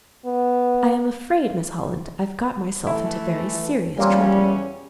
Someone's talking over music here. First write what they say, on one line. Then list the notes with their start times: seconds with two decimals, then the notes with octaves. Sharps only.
"I am afraid, Miss Holland, I've got myself into very serious trouble."
0.25 B3
2.87 E3 A3 E4
3.98 E2 A#2 G3 A#3 C4 C#4